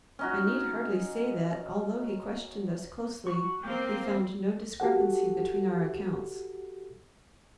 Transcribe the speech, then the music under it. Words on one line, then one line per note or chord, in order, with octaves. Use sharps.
I need hardly say that, although he questioned us closely, he found no discrepancy between our accounts.
C#4 D#4 F#4
F#4 C#6
A#3 C4 G5 D6
F#4 G4 A4 F#5